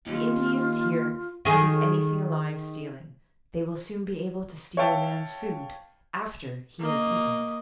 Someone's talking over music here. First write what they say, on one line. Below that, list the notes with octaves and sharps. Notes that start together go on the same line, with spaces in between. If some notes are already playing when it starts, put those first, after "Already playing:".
The Indians here can beat anything alive stealing. They will soon be able to steal a man's food after he has eaten it.
D#2 F4
D#3 G#4
C#5 E5 F5 G5 A5
A#3 D#5